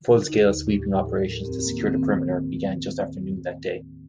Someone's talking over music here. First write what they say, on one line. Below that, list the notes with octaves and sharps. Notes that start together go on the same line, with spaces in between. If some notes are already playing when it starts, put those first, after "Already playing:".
Full-scale sweeping operations to secure the perimeter began just after noon that day.
D3
D#2 D#4
D#2
A2 G4
F3
F3 A4
A#4
A2
G4
F2 C4
D#3 A#3
D#3 C4